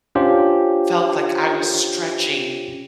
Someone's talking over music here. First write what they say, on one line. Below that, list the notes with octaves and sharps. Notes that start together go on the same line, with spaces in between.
felt like I was stretching
C#4 D4 F4 G4 C5